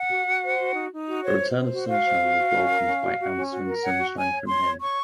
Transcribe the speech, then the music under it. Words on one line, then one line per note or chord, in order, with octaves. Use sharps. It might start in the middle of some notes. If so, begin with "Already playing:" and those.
The return of sunshine was welcomed by answering sunshine from him.
Already playing: F#5
F#4
F#4
C5
F#4
D#4
D#4
F#4
C5 C#5
C5
C5
F#4
F#4 F5
C5
F#4
F#4
C#4
A#4
C#4
F#4
F#4
C#4
F#4
A#4
C#5 F#5
F#4
C#5 G#5
C#5
C#5 C6
C#5
C#5 C#6